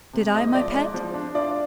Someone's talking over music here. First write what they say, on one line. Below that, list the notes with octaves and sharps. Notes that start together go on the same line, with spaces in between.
"Did I, my pet?"
C3
G#2 D#5
F3 D5
G#2
F3
D4
F4 D5